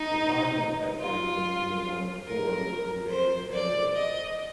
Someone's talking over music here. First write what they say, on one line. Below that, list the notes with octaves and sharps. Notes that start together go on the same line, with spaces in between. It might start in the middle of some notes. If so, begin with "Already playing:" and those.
Azar met Edwards when he was on tour with his band, Failure.
Already playing: D#4
F4
A#4
C5
D5
D#5